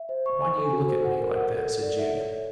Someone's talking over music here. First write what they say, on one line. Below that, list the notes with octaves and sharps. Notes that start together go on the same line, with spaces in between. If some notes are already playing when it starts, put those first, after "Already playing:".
"Why do you look at me like that?" said Jude.
Already playing: E5
C5
C#6
G#5
A4
F#4
C5
F#5
A#4
F#5
A4
A4
D5
E5
C#5
E5